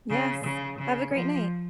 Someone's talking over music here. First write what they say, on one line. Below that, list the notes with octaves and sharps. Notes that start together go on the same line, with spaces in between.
Yes. Have a great night.
C#3
C#3
C#3
F3